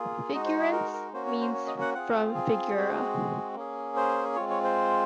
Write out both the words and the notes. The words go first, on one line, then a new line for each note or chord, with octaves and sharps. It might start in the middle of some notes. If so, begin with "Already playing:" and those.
Figueirense means "from Figueira".
Already playing: A#3 F4 G#4
G#3 D#4 F#4 D#5
C5
G#4
A#4
A#4
A#3 C#4 F#4 C5
C#5
C5
C#5
D#5
F#5
C4 F4 G#4 F#5
G#4
G#3 C4 F#4
A#3 C#4 G#4
C5
G#3 C4 F4 C#5
C#5
C5